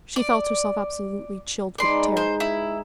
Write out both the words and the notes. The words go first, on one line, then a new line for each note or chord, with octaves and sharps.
She felt herself absolutely chilled with terror.
D5
G#3 D#4 B4 D5 C6
C5
E4